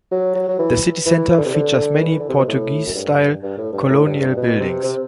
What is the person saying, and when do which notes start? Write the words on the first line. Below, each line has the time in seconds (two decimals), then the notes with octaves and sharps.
The city centre features many Portuguese-style colonial buildings.
0.12 F#3
0.35 F#3
0.49 F#3
0.59 E3
1.06 E3
1.30 E3
1.38 D3
1.46 C3
1.54 D3
2.00 E3
2.20 D3
2.29 C3
2.38 B2
2.48 A2
2.87 F#2
2.95 G2
3.43 G2
3.58 A2
3.73 G2
3.89 A2
4.06 G2
4.21 G2
4.37 B2
4.60 C3
4.84 C3